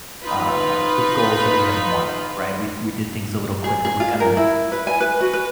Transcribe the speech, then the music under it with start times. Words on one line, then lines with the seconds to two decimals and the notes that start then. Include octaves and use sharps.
uh, the goals that we had wanted, right, we we did things a little quicker, we kinda
0.22 D#4 F4 B4 B5
3.64 G#4
3.85 G#4
4.00 F4
4.20 A#4
4.37 E4
4.72 B4
4.87 G#5
5.00 B4
5.21 F#4
5.33 B4